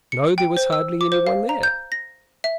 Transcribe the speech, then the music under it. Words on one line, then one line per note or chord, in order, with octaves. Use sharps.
No, there was hardly any one there.
C#7
G5
C5
E6
D6
C5
F5
A#5
G6
A#6
E5